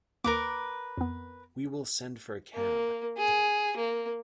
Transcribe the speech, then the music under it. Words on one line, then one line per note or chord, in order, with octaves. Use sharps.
We will send for a cab.
D#2 A#3 A#4 B4 D6
F2 B3
A#3
G#4
A#3